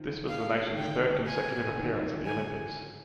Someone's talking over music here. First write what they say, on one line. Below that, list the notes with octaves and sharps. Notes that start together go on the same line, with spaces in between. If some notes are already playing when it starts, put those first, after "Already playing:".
This was the nation's third consecutive appearance at the Olympics.
Already playing: D#3 F3
F5
D#3
D3 G5
G#5
D3
D#3
D#3
E3
D#3
D3 G#5